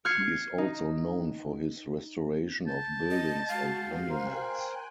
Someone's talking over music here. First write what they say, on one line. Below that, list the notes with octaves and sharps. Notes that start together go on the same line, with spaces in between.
He is also known for his restoration of buildings and monuments.
F6 F#6 G#6 C7 C#7
D#4
A5 G6
D#5
G#3 F#4 F5
A#4 C5 G5 G#5 F#6